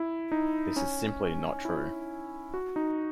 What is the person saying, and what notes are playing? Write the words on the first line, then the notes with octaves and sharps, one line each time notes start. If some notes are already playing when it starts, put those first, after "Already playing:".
This is simply not true.
Already playing: E4
D#4
C#4
E4
F#4
D#4